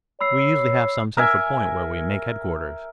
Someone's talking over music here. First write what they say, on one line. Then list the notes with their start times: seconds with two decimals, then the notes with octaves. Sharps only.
We usually have some central point where we make headquarters.
0.21 C#5 B5 E6 C7
1.17 A#4 E5 G#5